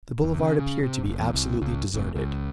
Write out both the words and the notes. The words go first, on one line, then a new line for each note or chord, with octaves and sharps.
The boulevard appeared to be absolutely deserted.
E2
C#3
C#3
C3
F#1
E2
C2
C#2
F1
C#2